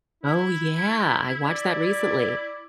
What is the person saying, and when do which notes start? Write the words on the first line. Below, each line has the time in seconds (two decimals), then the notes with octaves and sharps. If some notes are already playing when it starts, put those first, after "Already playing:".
Oh yeah, I watched that recently.
0.23 E4
1.46 D5